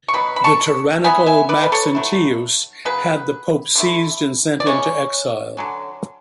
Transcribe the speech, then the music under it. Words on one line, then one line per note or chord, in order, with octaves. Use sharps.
The tyrannical Maxentius had the pope seized and sent into exile.
C#6
B2 F#3 B3 B5
B5
A5 C#6
F#3 B3 E4 G#5 B5
E5 G#5
B4 D5
B4
A4 C#5
F#3 A3 E4
C#3 F#3 B4
D3 A3 E4
D5
C#3 E3 G#3 C#4 C#5
D3 F#3 C#4